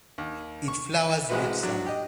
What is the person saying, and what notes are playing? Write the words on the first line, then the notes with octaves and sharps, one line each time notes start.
It flowers late summer.
D#2
C#6
A1 G#3 C4 F#4 B4 E5
F#3 D4
G4 D#5